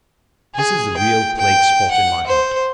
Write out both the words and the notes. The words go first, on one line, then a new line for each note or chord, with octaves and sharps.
This is the real plague-spot in my heart.
G#4
G5
G5
F#5
C5